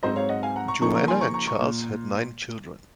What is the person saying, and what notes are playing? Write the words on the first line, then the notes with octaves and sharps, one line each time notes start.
Joanna and Charles had nine children.
G#2 F#3 C4 D#4 C5 D#5
C#5 F5
D#5 F#5
F5 G#5
F#5 A#5
A#5 C#6
C#3 F3 A#3 D#4 A#5 C#6
A#5 C#6
G#5 C6
A#5 C#6
A#5 C#6
A#5 C#6
A#2